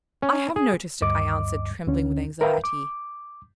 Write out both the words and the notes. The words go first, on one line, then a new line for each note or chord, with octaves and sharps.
'I have noticed it,' I answered, trembling with anxiety.
C#4
G#4
D2 G2 D#5 D6
D2 D3 C#4
A#4 B4 E5 F5 G5
D6